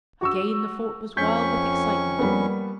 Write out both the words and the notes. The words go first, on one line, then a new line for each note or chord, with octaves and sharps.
Again the fort was wild with excitement.
F#4 C#6 E6
F2 C#4 C#6 G6 B6
G3 A#3 B3